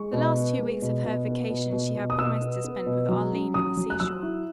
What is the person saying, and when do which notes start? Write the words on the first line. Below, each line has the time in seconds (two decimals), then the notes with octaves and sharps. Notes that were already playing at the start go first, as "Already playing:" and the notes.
The last two weeks of her vacation she had promised to spend with Arline at the sea-shore.
Already playing: G#3 C#6
0.13 B2
0.36 B3
0.59 G#3
0.82 B2
1.04 B2
1.28 B3
1.50 B2
1.72 B2
1.95 B2
2.10 D#6
2.18 B2 E6
2.42 B3
2.64 B3
2.86 B2
3.09 F#3
3.32 C#4
3.54 F#3 D#6
3.77 F#3
3.90 F#6
4.00 F#3 E6
4.23 E4